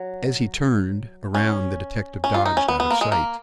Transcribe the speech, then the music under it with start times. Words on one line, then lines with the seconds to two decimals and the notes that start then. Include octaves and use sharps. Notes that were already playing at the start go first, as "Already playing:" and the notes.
As he turned around the detective dodged out of sight.
Already playing: F#3
1.35 C#4
2.24 C#4
2.34 F4
2.46 D#4
2.57 C#4
2.68 B3
2.80 B3
2.90 A#3
3.01 G#3
3.12 A#3